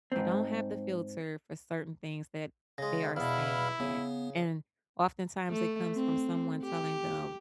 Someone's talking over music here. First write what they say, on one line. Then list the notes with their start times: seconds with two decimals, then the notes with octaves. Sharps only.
They don't have the filter for certain things that they are saying yet, and oftentimes, it comes from someone telling them,
0.12 G#2 C4
2.78 C#3 G#3 A#6
3.16 E2 B2 E4 F5 B5 F6
3.80 C#3 B3
5.50 A3
5.95 C4
6.63 G4